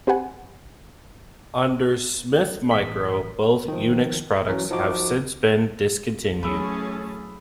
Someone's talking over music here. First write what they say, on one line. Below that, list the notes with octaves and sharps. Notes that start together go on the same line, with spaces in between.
Under Smith Micro, both Unix products have since been discontinued.
C4 G4 B4 F#5 G#5
A1 B6
D#3 F3
E3 F#3 C#4
F3 D#4 F#4 D6
E3 F#3 A3 C#4 G#4 A5 B5 E6